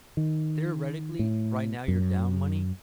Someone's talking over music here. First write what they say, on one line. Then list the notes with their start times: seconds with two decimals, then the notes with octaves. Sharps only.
Theoretically, right now you're down money,
0.17 D#3
1.19 A2
1.88 F#2